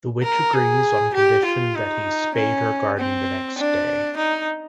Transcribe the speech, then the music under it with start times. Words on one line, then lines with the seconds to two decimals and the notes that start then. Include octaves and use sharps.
The witch agrees on condition that he spade her garden the next day.
0.23 A#4
0.54 G#4
1.14 G4
1.45 F4
1.75 D#4
2.35 C#4
2.97 C4
3.58 D4
4.17 D#4